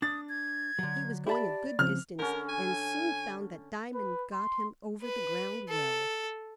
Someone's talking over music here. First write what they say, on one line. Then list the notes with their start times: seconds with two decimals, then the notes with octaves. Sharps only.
He was going a good distance, and soon found that Diamond got him over the ground well.
0.02 D4 D#6 A6
0.29 G#6
0.79 D3 F#3
1.27 E4 G4 D5 E5 A5 B5
1.79 C#3 F3 C4 F6
2.19 D3 C#4 A#4
2.49 G#5
3.95 B4
4.33 C6
5.02 B4
5.69 A4